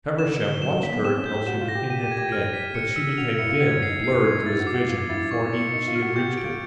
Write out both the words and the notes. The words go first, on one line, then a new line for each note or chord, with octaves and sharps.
Feversham watched her till she went in at the gate, but she became dim and blurred to his vision before even she had reached it.
D3 E7
G7
F#3 E7
F#3
A#3 B6
B3
C4 E7
C#4
G6
G4
F#4 E7
F4
A#6
G4
G4 D#7
G4
G#6
G4
F6
B6
C#7
E6
F#4 F7
F4
E4 C#7
F4
F#4 G#6
C7
D#4
C7
G#6
E4 A6
F#4
D6
F#4
F4 D6
E4 A6
C#6
C#7
D#4 C#7
F4
F6
F#4
G4 G6
F#4
D7
F4